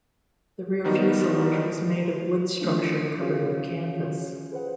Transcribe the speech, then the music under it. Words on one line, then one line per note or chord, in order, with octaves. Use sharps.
The rear fuselage was made of wood structure covered with canvas.
D#3 F3 G3 B3 D#4 F#4
F3 A3 C#4 D4 F4
C#4 F4 F#4 G#4 C#5 F5
G#4 B4 C5 F#5